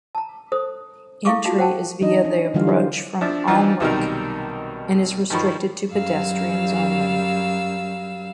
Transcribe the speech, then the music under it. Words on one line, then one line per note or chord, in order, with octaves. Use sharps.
Entry is via the approach from Alnwick, and is restricted to pedestrians only.
A5 A#5
A4 C5 D#6
E4 A4 F5 C#6 D6
D#4 F4 F#4 F5
C5 F#5 G5 A5
E3 D4 D#4 D#5
C#4
D3 E3 F#3 G3 F4 F5
F4 C5
F3 D4 E5
E3 F3 D4 D#4 F4
B1 C3 D#3 G3 A#4
G2 D#3 F3 B5 C#6
F#2 F#3 G3 F5 E6